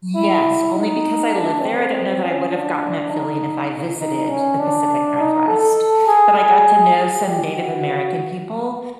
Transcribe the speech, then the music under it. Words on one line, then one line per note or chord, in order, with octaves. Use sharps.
Yes, only because I live there, I don't know that I would have gotten that feeling if I visited the Pacific Northwest, but I got to know some Native American people,
E4
D#4
D4
C4
C#4
D4
D#4
D#4
C#4
D4
D#4
A4
G#4
G#4
G#4
G4
F#4